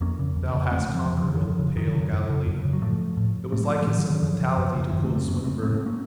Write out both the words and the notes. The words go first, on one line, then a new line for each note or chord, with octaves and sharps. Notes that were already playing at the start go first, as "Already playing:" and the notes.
"Thou hast conquered, O pale Galilean." It was like his sentimentality to quote Swinburne.
F2 A#3 C#4
C#3
F2
C#3
F2 A3 C4
A3 C4
C#3
F3
F2
F3
C#3
D#3
F#2 F3
C#3
F#2 D#3 F#3
C#3
F#2
C#3
F#2
C#3
F#3
A2 F3 A3
A2
A2 A3 C4
F#3 A#3
F3 A3
A2 D#3 F#3
D#3 F#3
D#3 F#3
F#2 F3
C#3
F#2
C#3
F#2 D#3 F#3
A3 C4
C#3
A3 C4
F#2 A#3 C#4
C#3 A3 C4
A2 A3 C4
A3 C4
A#3 C#4